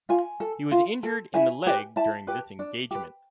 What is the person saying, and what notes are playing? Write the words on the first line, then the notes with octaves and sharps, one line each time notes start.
He was injured in the leg during this engagement.
F4 G#5
A4
F4
A4
E4 G#5
G4 B4
E4 A5
G4 B4
D4
G4 B4